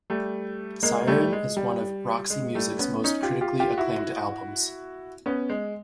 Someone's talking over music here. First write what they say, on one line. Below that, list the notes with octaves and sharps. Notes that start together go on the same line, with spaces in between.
"Siren" is one of Roxy Music's most critically acclaimed albums.
G3 A3
G#3 A#3
G3 A3
G#3
G3
G#3
G3 A3
B3 C#4
C#4 D#4
F4 G4
F4 G4
F4 G4
E4 F#4
B3 C#4
G#3